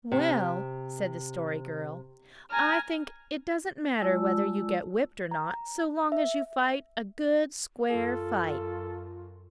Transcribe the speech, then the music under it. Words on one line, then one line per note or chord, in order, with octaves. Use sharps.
"Well," said the Story Girl, "I think it doesn't matter whether you get whipped or not so long as you fight a good, square fight."
C3
G#5 A#5 F6
G#3 F4 D5 A5 E6
A#5
E5
F#2 F4 A4